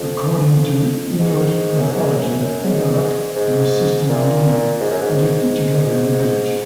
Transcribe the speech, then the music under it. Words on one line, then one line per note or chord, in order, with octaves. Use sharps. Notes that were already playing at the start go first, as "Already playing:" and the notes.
According to Inuit mythology, Igaluk and his sister Malina lived together in a village.
Already playing: F2
G#2
F#2
G#2
F#2
F#2
G#2
G#2
A#2
G#2
F#2
G#2